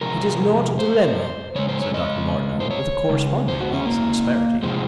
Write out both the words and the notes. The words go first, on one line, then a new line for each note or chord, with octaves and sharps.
"It is not a dilemma," said Dr. Martineau, with a corresponding loss of asperity.
C3 F3 G#3 A#4
C5
C#3 G#3 C#5
C5
C#5
D#5
C5
C#5
C#3 G#3
C5
F#4
C#4
A#3
C3 F3 G#3 C4